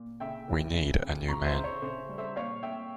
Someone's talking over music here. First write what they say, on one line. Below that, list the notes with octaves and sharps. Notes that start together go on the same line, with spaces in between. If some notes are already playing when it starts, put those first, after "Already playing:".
We need a new man.
Already playing: A#2
C#3 E5 G5
E3
C#3
C#3
C#3 A#5 C#6
C5 E5
C#3
C#5
C#3 C5
G3
C5 E5
A#2 C#5 F5
A#2 E5 G5